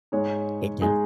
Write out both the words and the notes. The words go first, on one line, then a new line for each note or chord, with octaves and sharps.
It does.
G#2 G#3 D#4 C#5
G#3 D#4 G#4